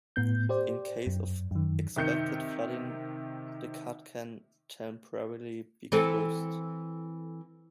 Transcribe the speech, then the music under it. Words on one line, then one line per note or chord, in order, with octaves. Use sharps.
In case of expected flooding the cut can temporarily be closed.
A2 B3 G6
G4 C5 D5
F#2
F#2 D#3
C3 D#3 G6 C#7
E3 C4 A4